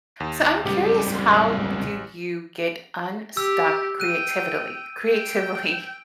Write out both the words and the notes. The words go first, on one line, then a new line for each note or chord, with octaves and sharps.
So I'm curious how do you get unstuck creatively- creatively
D#2
C#2 G3 G4
A1
G4 E6
G5 F#6 D#7
G5